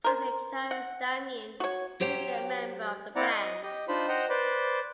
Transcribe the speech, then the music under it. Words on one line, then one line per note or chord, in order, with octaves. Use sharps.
Samhain guitarist Damien was briefly a member of the band.
A#4 C5
F#5
F#4 C#5
F#3 G4 C5 C#5 G5
C4 E4 D5 F#5 A#5
D#5
G4 D#5
D4 D#4 F4 C5 B5
C5 D#5 F#5 G5 A#5
B4 C5 D5